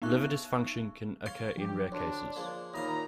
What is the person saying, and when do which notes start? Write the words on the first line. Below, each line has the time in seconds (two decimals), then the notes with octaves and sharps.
Liver dysfunction can occur in rare cases.
0.02 B3 D#4 E5 C#6 F#6
1.26 C#5 F5 C6
1.57 F3 F#3 D4 G4
1.92 D2 D4 C#5 C6
2.36 F3 G#3 A#3
2.74 D#2 A#2 C#5 E5 F5 A#5 B5 D#6